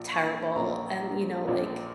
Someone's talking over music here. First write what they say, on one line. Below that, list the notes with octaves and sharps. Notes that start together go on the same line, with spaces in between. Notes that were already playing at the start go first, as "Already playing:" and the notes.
terrible and, you know, like,
Already playing: A#1 A#2 F3
C#6
A#1 A#2 F3 A#5
A#1 A#2 F3